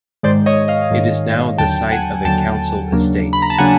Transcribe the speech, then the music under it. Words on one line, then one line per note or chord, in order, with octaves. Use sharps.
It is now the site of a council estate.
G#2 D#3 G#3 C5 D5
C#5 D#5
D#5 F5
G#2 D#3 G#3
D#2 D3 F#3 G5 A5
F#5 G#5
D#2 D3 F#3 G5 A5
D#2 C#3 F#3 A#3 D4
B5
A#5
A5
C#3 F#3 A#3 D4 F#5 G#5